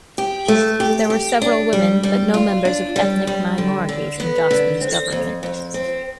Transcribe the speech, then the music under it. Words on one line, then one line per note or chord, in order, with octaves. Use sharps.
There were several women but no members of ethnic minorities in Jospin's government.
G4
A3
G4
G4
D4
G3
G3
F4
D4
G3
G3
D3
D3
B3
D3
C4
F2
F2
C4